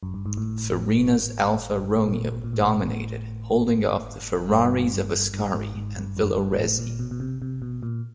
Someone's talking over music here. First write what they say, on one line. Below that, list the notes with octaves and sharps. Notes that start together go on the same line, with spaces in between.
Farina's Alfa Romeo dominated, holding off the Ferraris of Ascari and Villoresi.
F#2
G2
G#2
A2
A2
A#2
A#2
A2
A#2
A2
G2
G2
G2
G#2
G#2
G2
F#2
G2
G#2
A2
A#2
B2
B2
C3
C3
B2
A#2